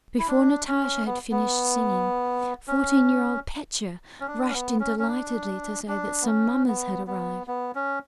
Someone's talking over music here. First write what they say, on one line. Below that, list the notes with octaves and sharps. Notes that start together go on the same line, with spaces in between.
Before Natasha had finished singing, fourteen-year-old Petya rushed in delightedly, to say that some mummers had arrived.
E4
D4
C#4
B3
B3
C#4
C#4
D4
C#4
B3
C#4
C#4
D4
D4
B3
C#4
B3
B3
B3
C#4